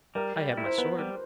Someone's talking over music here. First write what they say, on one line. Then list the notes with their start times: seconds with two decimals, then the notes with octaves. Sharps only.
"I have my sword."
0.15 G3 A#4
0.36 G3
0.57 E4
0.65 C5
0.78 B3 B4
0.99 G3